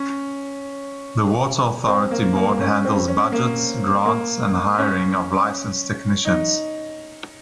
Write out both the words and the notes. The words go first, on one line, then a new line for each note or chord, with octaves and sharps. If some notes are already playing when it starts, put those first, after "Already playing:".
The water authority board handles budgets, grants and hiring of licensed technicians.
Already playing: C#4
C4
A#3
A#3
C#4
C4
C#4
A#3
A#3
C#4
D#4